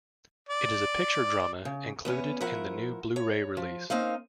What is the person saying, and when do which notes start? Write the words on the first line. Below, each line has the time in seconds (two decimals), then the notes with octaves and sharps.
It is a picture drama included in the new Blu-ray release.
0.49 D5
1.65 C#3
2.05 E2 B3 C#4
2.41 F3 E4 A#4 F#5
3.16 C#5
3.57 F3
3.90 A#3 C4 C#4 D#4 F5